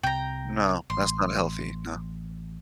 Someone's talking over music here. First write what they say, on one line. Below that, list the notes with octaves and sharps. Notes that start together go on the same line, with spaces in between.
No, that's not healthy, no.
C2 C3 G5 A#5
A1 C6